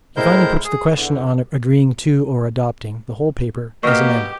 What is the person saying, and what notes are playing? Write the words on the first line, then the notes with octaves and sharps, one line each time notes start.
He finally puts the question on agreeing to or adopting the whole paper as amended.
A2 G#3 E4 A#4 C5 G6
G#4
E2 D3 E3
B2 A#3 G4 C#6 F6